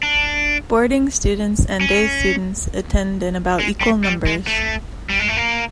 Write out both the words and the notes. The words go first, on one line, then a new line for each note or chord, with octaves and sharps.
Boarding students and day students attend in about equal numbers.
D4
C#4
G#3
G3
G3
G#3
A3
G3
G#3
A3
A#3